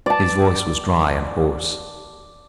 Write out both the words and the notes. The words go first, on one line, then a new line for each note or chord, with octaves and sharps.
His voice was dry and hoarse.
D5 A5